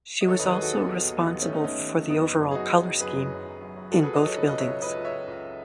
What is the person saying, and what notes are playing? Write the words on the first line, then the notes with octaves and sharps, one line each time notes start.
She was also responsible for the overall colour scheme in both buildings.
D#5
D#3 A4 C#5
D#2 B4 D#5
G#4 B4
F#3 F#4 A4
D#3 B3
D#3
D#2
D#2 B3
D#2
A3 C#4
D#2 D#4
D#2 A3 C#4
D#2
F#3
F#1 B3 D#4
F#1
F#2
G#4
F#2 D#4 F#4
F#1
F#3
F#2 G#4 B4
F#1
F#2
F#1
F#2
F#3
C#2 F#4 A4
C#2 G#4 B4
B4 D#5
F#3 A4 C#5
C#3 B4 D#5
C#2 B4 D#5
C#5 E5
F#3
C#2 B4 D#5
C#2
C#5 E5
C#2
C#2